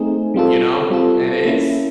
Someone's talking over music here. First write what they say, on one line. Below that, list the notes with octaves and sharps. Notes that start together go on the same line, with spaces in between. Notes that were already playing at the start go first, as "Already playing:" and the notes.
you know? And it's
Already playing: A3 C4 D#4 G#4
G3 C4 F4 A4
G3 C4 F4 A4
A#3 C#4 E4